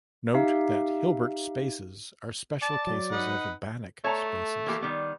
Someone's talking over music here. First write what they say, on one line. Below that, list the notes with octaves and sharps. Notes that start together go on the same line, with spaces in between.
Note that Hilbert spaces are special cases of Banach spaces.
D#4 G4 E5 F5
D5 A5
F#3
D#4 B4 D#5 F#5
A3 C#5 A5 A#5
E3 A#3 G4
D#3 G3 B3